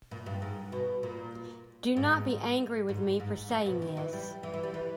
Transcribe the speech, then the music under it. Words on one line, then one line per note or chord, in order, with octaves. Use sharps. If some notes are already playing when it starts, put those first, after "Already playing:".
Do not be angry with me for saying this.
A#2
G2
G#2
B2
A#2
G#2
G#2
G#2
A#2
B2
D#3
E3
G3
E3
E3
G3
E3